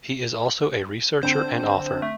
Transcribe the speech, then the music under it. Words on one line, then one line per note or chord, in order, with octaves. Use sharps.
He is also a researcher and author.
D3 C4 C5
A3